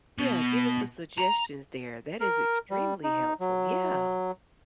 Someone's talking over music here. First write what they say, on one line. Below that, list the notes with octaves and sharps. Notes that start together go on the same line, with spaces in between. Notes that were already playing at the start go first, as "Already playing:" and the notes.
Yeah, giving some suggestions there, that is extremely helpful. Yeah.
B2
A#5
A#4
G3
D#4
F#3